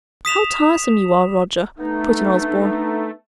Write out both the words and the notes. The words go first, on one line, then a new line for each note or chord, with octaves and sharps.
"How tiresome you are, Roger!" put in Osborne.
D#6 B6 E7 F7
A3 B3 D4 D#4